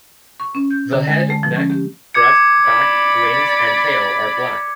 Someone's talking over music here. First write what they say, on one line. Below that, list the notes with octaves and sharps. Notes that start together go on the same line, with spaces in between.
The head, neck, breast, back, wings and tail are black.
C#6
C#4
G6
D3
G#3
A3
F3
C#4
G4
D6 G#6 C#7
D5 B5